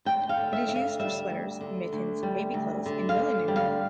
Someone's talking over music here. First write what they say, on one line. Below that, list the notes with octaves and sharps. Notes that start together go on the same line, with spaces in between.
It is used for sweaters, mittens, baby clothes and millinery.
D2 G5
F5
D3
E5
D2 E5
F5
G3 E5
D2
D3
D2
G3
D2
D3
F5
D2
G3
F5